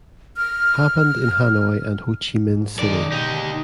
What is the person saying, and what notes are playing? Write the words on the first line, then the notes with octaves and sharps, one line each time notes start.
Happened in Hanoi and Ho Chi Minh city.
F6
G#2
D#3 G#3 D5
B2 D3 D#4 G4